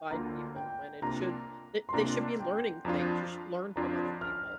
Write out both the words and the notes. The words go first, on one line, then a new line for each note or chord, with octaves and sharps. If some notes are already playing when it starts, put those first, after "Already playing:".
divide people when it should they they should be learning things. You should learn from other people,
Already playing: G5
D2 D3 A#3 F4 A#5
G5
C3 A#3 D4 F4 A#5
C6
C3 A#3 D4 F4 A#5
G5
F2 F3 D4 F4 A#5
F2 F3 D4 F4 A#5
F6